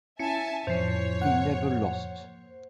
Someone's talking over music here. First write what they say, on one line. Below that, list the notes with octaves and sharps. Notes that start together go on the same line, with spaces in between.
He never lost.
C#4 E4 E5 G#5 A5 C#7
F2 A2 F3 C5 C#5 C7
A#3 F#5